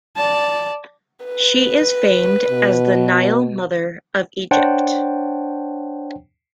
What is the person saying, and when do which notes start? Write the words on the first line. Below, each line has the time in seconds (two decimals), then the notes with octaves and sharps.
She is famed as the "Nile Mother" of Egypt.
0.16 D5 A5
1.25 B4
2.50 B2
4.51 D4 C5 C#5 F#5 G5 A5